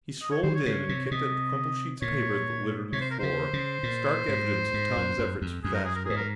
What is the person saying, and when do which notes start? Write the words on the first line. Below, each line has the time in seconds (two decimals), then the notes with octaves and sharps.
He strolled in and kicked at the crumpled sheets of paper that littered the floor, stark evidence of Tom's efforts with Astro.
0.22 D#5
0.31 C#5
0.43 D#3 C5
0.55 C#5
0.66 C#3 C#5
0.89 C3
1.05 C#5
1.11 C3 D#5
2.02 A#2 C#5
2.92 C3 C#5
3.01 C5
3.11 A#4
3.19 C#3 C5
3.53 C#3
3.83 A#2
4.28 G#2
4.74 G#2
4.97 F#2
5.19 F#2
5.42 F2
5.64 F#2 G#4
5.74 A#4
5.85 G#4
5.96 A#4
6.05 G#2 G#4
6.16 A#4